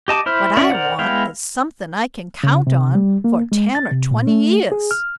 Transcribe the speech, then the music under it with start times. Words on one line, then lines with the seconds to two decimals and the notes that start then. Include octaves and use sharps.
What I want is something I can count on for ten or twenty years.
0.08 G4 D#5 A5 D6
0.26 E4 C5 F6
0.57 C#4 A#4 D5 E5
0.70 A#4 C5 D5 F#5
0.98 G#3 B3 E4 F5 G5
2.43 C#3
2.67 C3
2.95 G3
3.24 A#3
3.52 G#3
3.75 A6
3.91 C3
4.11 A#2
4.27 A3
4.72 G#4
4.91 F6